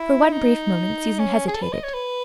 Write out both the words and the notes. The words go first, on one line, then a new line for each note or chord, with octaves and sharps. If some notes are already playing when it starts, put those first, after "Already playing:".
For one brief moment Susan hesitated.
Already playing: E4
D#4
C#4
G#4
A4
B4
D#5
C#5
B4